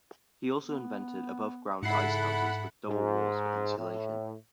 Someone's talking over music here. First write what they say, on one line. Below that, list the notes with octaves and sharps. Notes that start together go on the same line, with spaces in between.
He also invented above-ground ice houses, with double walls for insulation.
B3
G#2 C#3 E4 A4 F#5 B5 C7
G#2
A2